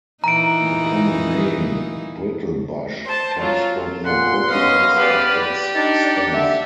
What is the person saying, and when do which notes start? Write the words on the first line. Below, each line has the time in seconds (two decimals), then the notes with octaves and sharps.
The common name "brittlebush" comes from the brittleness of its stems.
0.24 A#2 E3 D#4 A#5 D7
3.05 C5 A5
3.38 F#3 F4
4.05 A#2 F#5 C6
4.50 B3 C#4 D#5 F5
4.96 G4 B4 D5
5.75 D4 D#4 A4 D5
6.33 D3 E5